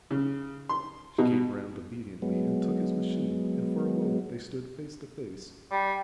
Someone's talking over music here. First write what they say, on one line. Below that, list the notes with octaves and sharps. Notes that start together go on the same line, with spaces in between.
She came round obediently and took his machine, and for a moment they stood face to face.
C#3
C6
B2
F#3 G#3 B3
G3